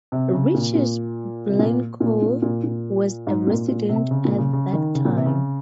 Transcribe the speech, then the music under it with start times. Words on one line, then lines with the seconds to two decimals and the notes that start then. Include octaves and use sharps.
Richard Blincoe was a resident at that time.
0.12 C3
0.33 C#3
0.54 A#2
0.75 A#2
1.48 C3
1.59 A#2
2.00 A#2
2.22 A#2
2.42 A#2
2.64 A#2
3.27 G#2
3.47 A#2
3.68 A#2
3.89 C3
4.11 C#3
4.25 A#2
4.38 C#3
4.53 C#3
4.73 D#3
4.95 C#3
5.05 A#2
5.16 C3
5.26 C#3